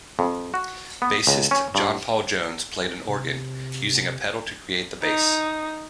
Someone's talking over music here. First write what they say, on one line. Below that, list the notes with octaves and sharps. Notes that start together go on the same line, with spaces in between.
Bassist John Paul Jones played an organ, using a pedal to create the bass.
F2
F#4
B3
C#2
C#4
G2
C3
D#4